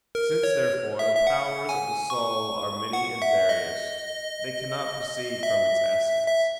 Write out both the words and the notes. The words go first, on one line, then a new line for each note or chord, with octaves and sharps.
Since, therefore, the powers of the soul are many and various, they cannot proceed from its essence.
A#4
C#5
E5
E5
F#5
G#5
C#6
F#5
E5
D#5
E5
E5